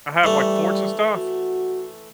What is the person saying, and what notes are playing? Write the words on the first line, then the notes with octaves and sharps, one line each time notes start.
I have, like, forts and stuff,
E3 G3 A3
F#4